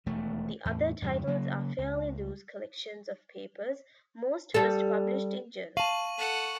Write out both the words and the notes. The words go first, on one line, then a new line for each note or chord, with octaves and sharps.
The other titles are fairly loose collections of papers, most first published in journals.
E1 D#2 A3
E2 A2
E2 G2 C3
C#3 F#3 A#3
C#2
G3 A4
F5 A5 C#6 D#7 F#7
A4 F#5